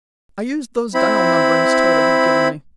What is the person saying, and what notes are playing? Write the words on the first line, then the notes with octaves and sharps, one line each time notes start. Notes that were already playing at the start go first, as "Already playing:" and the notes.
I used those dial numberings Tode had given me.
C4 E4 B5